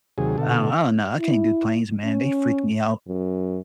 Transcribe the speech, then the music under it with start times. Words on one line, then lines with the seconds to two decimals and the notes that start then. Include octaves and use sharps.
I don't I don't know. I can't do planes, man. They freak me out.
0.18 D#2 C3 F#3 G#4
0.38 B2 D3 A4
1.19 E4
2.05 C#4
3.08 F#2